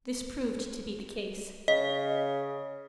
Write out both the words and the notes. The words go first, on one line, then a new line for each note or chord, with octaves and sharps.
This proved to be the case.
C#3 D#5